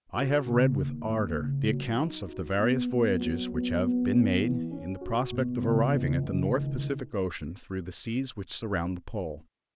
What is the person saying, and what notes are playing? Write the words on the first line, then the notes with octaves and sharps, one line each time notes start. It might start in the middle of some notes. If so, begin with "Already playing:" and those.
I have read with ardour the accounts of the various voyages which have been made in the prospect of arriving at the North Pacific Ocean through the seas which surround the pole.
F#4
C#3
D#2
D#2
C#3
F#3
D#4
F#4
B3
B3
F#3
B3
B3
C#4
E3
C#4
F#4
B2
C#2
C#2
C#2
D#3